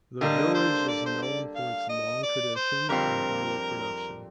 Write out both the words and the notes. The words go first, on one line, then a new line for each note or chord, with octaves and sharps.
The village is known for its long traditions in garlic production.
D3 G3 A#3 D#5
C5
D5
C5
D5
F5
D#5
D5
C5
F2 D3 G3 C4 F4 A#4